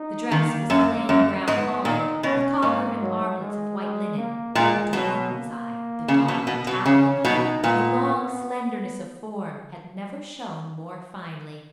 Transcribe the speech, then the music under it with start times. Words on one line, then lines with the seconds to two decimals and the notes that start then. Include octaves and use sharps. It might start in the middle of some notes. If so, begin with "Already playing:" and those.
The dress was plain brown holland, with collar and armlets of white linen; but, to Wharton's eye, the dark Italian head, and the long slenderness of form had never shown more finely.
Already playing: D#4
0.31 D#3 A#3
0.70 F#2
1.09 F#2
1.47 G#2 B3
1.85 A#2 D#4
2.23 B2 C#4
2.62 G#2 A#3
3.01 F#3
3.40 G#3
3.77 G#3
4.17 A#3
4.55 A#2 G#3
4.93 B2 F#3
5.31 A#3
6.08 C#3
6.28 B2
6.47 B2
6.67 B2
6.86 C#3 C#4
7.25 B2 D#4
7.63 A#2 B3